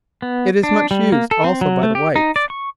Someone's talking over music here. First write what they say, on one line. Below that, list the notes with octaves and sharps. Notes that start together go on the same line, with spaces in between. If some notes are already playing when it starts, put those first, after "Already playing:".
It is much used also by the whites.
B3
D4
G3
A#3
A4
C4
F#3
A3
G4
D#4
D5
C#6